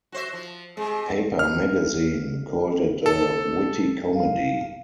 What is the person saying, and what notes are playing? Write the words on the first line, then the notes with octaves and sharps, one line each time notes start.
Paper Magazine called it a "witty comedy".
F#4 C5 E5
F3
C3 G#3
F6
A4
F5